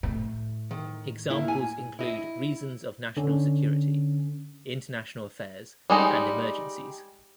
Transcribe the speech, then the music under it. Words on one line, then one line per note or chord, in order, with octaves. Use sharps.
Examples include reasons of national security, international affairs, and emergencies.
A2
D#3
A#3 E4
G#5
E4 D#5
D3 C#4
G3 G#3 D#4